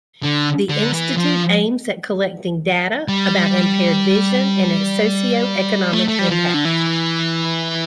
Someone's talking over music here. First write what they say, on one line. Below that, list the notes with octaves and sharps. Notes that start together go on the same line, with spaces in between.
This institute aims at collecting data about impaired vision and its socio-economic impact.
D3
D3
E3
F3
G3
A3
A3
G3
F3
D3
E3